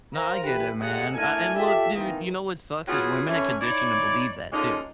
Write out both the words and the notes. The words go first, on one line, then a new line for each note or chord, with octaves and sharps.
Nah, I get it man, uh, and look, dude, you know what sucks is women are conditioned to believe that, too.
A#4 C5 F5 A#5
D3 E3 G4 B4
A2 G#3 G4 D#5 F#5
A3 D4 E4 A4 A#4 G#5
F4 G4 A4 D5 E5
D#3 E3 A#3 C4 D#4
B2 E3 F#3 B3 F4 G#4
D3 E3 C#4
D#4 E4 C#5 D5
D3 F3 G#3 A#3 C#4 D#4